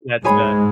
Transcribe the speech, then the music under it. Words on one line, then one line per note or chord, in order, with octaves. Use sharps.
That's the
G#2 G#3 G#4 C#5 G#5 B5